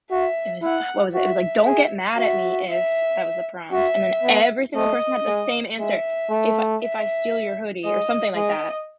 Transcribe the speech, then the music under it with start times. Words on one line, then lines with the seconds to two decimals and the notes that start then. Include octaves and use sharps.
it was Ugh, what was it? It was like, "Don't get mad at me if" that was the prompt, and then every single person had the same answer, "If I if I steal your hoodie or something like that,
0.11 F#4 E5
0.62 E4 F#5
1.14 F#4 E5
1.66 G#4
2.17 F#4 E5
2.69 E5
3.72 F#4 E5
4.23 B3
4.75 A3 D#5
5.27 G#3
5.78 G#3 E5
6.30 A3
6.81 E5
7.84 G#3 D#5
8.36 G#3 D#5